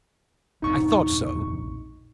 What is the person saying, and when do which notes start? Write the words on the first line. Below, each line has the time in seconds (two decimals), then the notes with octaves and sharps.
I thought so.
0.62 E1 A#1 C4 D#4 C#6